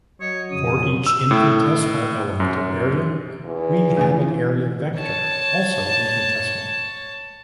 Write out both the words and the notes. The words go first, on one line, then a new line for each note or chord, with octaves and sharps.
For each infinitesimal element of area, we have an area vector, also infinitesimal.
F#3 C#5 D#5
F2 C#3 D#6
E6
A2
F#2
E2
E3 A3 F4 G#5
C#5 A5